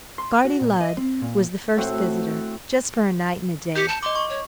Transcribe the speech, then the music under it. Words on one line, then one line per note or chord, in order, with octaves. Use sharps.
"Guardy Lud" was the first visitor, just for a night and a day.
C6
F#4
A#2
D#5
C4
A#2
A2 C4 F#4
G4 G6 C#7
A5
D#5 C6 D6
C#6
C#5